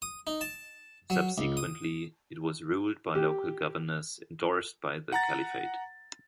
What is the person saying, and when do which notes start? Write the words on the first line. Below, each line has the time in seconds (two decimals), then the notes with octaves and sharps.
Subsequently, it was ruled by local governors endorsed by the Caliphate.
0.02 D#6
0.27 D#4
0.41 A5
1.10 F#3
1.38 C#2
1.57 D#6
3.15 G4
5.12 F#5 A#5 A6